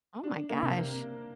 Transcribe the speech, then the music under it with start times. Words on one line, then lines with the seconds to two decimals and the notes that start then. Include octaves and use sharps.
Oh my gosh.
0.23 D4
0.50 A#3
0.63 C3